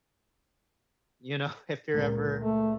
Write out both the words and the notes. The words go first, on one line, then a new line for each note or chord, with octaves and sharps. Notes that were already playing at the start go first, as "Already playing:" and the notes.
you know, if you're ever
C#2 A#2 A#4
A3